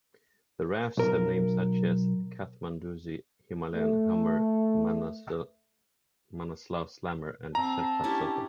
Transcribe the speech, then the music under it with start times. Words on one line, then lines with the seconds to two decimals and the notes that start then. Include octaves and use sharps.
The rafts have names such as "Kathmandoozy", "Himalayan Hummer", "Manaslu Slammer", and "Sherpa Surfer".
0.97 B1 A#4
3.73 A3
7.55 C4 A5 A#5
8.04 C#4 D4 E4 G4